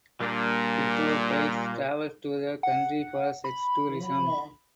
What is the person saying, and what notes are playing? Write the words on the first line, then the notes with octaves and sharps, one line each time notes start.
Pedophiles travel to the country for sex tourism.
A#2 G3 A#3 D4
F#5
B5